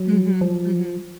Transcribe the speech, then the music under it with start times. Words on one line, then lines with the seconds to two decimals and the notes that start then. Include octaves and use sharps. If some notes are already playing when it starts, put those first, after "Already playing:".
Mhm, mhm.
Already playing: F#3
0.41 F3